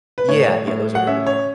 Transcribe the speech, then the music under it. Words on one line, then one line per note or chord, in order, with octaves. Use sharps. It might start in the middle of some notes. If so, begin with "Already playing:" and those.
Yeah, yeah, those are really fun.
B4
A2 C#5
A2
F#5
C#4 E5
C#5